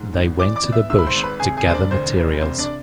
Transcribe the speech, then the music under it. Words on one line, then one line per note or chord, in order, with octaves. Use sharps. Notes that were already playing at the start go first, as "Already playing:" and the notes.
They went to the bush to gather materials.
Already playing: G#2
G#1
E3 D5 D6
D5 D6
B3
E5 E6
G#2 E5 E6
B5
C5 C6
G#1
B4 B5
C3 G#4 G#5
G#4 G#5
E1 C5
D4 D5
D2 C4 C5
E1
C3 C4 C5
D4 D5